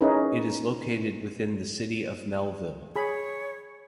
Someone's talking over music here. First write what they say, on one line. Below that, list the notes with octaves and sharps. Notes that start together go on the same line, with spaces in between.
It is located within the City of Melville.
C#4 D#4 E4 G#4 A#4 B4
G#4 C#5 B5